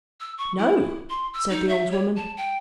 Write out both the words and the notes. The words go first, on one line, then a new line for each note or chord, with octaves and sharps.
"No," said the old woman.
E6
C#6
E4
C6
E6
D#4
E5
C#5
A5
G5